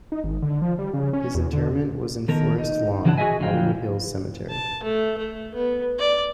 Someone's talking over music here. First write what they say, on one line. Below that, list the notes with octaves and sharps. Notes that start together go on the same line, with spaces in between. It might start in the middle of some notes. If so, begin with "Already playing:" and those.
His interment was in Forest Lawn - Hollywood Hills Cemetery.
D#4
G#1
D3
F3
G3
C#3
C#4
E2
D3
D#3 B3 A4 A#4 A#5
D#4
C#3 E3 F#3 D4 F#5 A5
F#4 G#4 A#4 D#5 E5 G#5
F2 D3 F3 F#3 F5 G5
A5
A3
A3
B3
D5